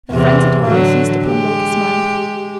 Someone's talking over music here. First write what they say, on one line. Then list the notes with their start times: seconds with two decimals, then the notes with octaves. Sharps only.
A frenzied horror seized upon Loki's mind.
0.11 E2 C3 E3
0.64 A2 D3 F#3
1.26 G#3 G4